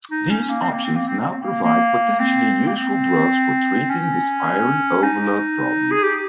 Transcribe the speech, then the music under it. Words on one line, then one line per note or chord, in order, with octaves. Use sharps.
These options now provide potentially useful drugs for treating this iron overload problem.
D#4
C#4
A#3
C4
A#3
C4
A#3
C4
A#3
C4
A#3
A#3
C4
A#3
C4
C#4
D#4
G#4
G4